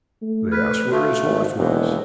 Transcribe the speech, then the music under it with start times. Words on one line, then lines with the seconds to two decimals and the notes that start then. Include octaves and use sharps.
They asked where his horse was.
0.22 A3
0.52 B4 F6 B6
0.92 A3 F#4 A4 F5
1.25 G#1
1.57 E1 D#2